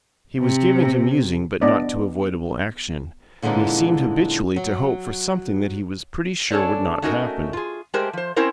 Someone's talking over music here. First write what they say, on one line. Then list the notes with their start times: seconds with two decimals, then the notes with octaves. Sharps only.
He was given to musing but not to avoidable action, and he seemed habitually to hope for something that he was pretty sure would not happen.
0.40 C3
1.61 B3 D4 B4 D5 D#5
3.42 A#2 D3 E3 G#3 C#4 D#4
4.56 F#3
6.51 C#4 D4 A4 C#5 D5
7.02 A3 C#4 D#4 F#4 A4 A#4
7.53 F4 G#4
7.94 G#3 A3 G4 G#4 A#4 C5
8.13 F3 C5
8.36 C4 C#4 E4 A#4 C5